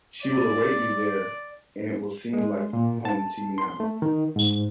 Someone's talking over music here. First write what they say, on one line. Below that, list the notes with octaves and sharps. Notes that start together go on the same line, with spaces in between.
She will await you there and it will seem like home to you now.
D5
G#3
A#2
A5
C6
A3
D#3
G#2